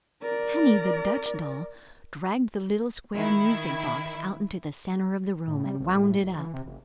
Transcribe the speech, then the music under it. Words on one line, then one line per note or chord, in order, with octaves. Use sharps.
Henny, the Dutch doll, dragged the little square music box out into the center of the room and wound it up.
A#4 D5
D#3 E4
A2
G3
G#1
A2
F#1
E3
C3
F#1